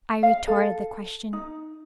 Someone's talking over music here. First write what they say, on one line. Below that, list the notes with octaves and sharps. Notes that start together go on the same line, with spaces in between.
I retorted the question.
F5
A4
D#4